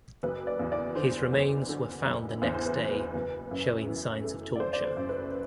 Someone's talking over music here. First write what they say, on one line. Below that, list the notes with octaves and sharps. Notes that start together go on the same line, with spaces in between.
His remains were found the next day showing signs of torture.
F#1 B4
D5
E2
D5
D3 C5
F#1
D3
F#1
E2 C5
C5
B4
F#1
B4
F#1
F#2
E3
A3
D5
F#1 C5
D5
C5
F#2
B4